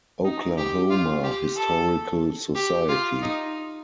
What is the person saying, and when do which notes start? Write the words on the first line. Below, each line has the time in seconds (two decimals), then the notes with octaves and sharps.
Oklahoma Historical Society.
0.25 D#4
0.57 G4
0.90 F4
1.24 G4
1.57 A4
2.55 G4
2.89 F4
3.22 D#4